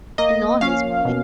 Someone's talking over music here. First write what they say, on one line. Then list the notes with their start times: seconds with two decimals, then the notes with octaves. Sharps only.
In all his movie,
0.18 A#3 D#5
0.61 C#4 F5
1.05 B2